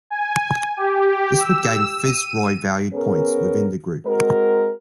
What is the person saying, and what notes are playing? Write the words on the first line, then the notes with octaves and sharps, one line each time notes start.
This would gain Fitzroy valued points within the group.
G#5
G4
E6
D#7
B3 C#4 G#4 A#4
G#3 C4 F#4 A#4